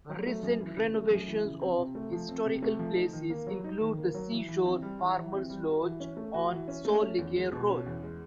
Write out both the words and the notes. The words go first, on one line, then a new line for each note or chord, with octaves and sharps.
Recent renovations of historical places include the Seashore Farmer's Lodge on Sol Legare Road.
F#3
A3
F#2
E3
C#3
A3
F#2
E3
C#3
C4
C3
A3
F3
C4
C3
A3
F3
D#4
D#3
A#3
F#3
D#4
D#3
A#3
F#3
E3
E3
C4
G3
E3
E3
C4
G3
F#4
E3
C#4
A3
F#4
E3
C#4
A3
C#4
E2
G#3
B2
C#4
E2
G#3